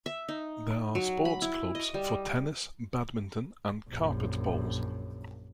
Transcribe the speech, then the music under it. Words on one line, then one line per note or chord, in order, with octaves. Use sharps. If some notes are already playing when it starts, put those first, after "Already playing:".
There are sports clubs for tennis, badminton and carpet bowls.
E5
D#4
F#3
B5
E4
D#5
G3
A#1 F#2